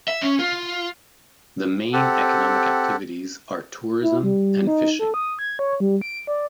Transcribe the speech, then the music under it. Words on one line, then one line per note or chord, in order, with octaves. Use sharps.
The main economic activities are tourism and fishing.
E5
C#4
F4
C4 G4 A4 F#5
E4
G3
D#4
A4
D#6
G#6
C#5
G3
D7
D5